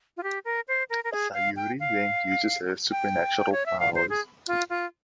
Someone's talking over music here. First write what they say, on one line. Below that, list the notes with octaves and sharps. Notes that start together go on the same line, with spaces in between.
Sayuri then uses her supernatural powers.
F4
G4
A#4
C5
A#4
A#4
G#4
F5
G5
F5
G5
C#5
E5
F5
C5
G#4
F4
F4